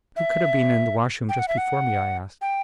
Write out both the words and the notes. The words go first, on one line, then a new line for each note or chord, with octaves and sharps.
"Who could have been in the washroom just before me?" I asked.
E5
G5
F#5
E5
F#5
G5